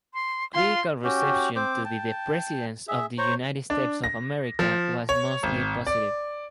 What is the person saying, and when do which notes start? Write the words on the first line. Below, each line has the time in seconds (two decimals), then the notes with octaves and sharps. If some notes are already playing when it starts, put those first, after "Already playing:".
Critical reception to "The Presidents of the United States of America" was mostly positive.
0.14 C6
0.54 F4 C6
1.04 C#4 F#4 G4 G5
1.56 C4 C5 D6
1.85 G5 A5
2.88 G#4 E5
3.18 C5 C#5 A#5 C#6
3.70 D4
4.04 A#6
4.59 F3
5.09 C#5
5.43 G#1
5.87 D5